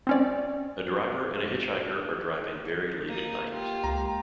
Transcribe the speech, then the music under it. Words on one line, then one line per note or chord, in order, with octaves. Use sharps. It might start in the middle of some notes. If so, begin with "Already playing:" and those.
A driver and a hitchhiker are driving very late at night.
C4 C#4 D5
A#3 D#4
F4 G4
C#2 A#5